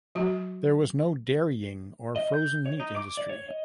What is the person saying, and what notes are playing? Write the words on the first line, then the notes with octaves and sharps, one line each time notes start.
There was no dairying or frozen meat industry.
F#3 F#4
D#5
G6
C#5
D#4
D6
D5
C#5
D#5